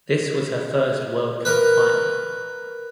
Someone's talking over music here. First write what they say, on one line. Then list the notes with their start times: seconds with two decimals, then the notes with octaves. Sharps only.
This was her first World Cup final.
1.45 A#4 B4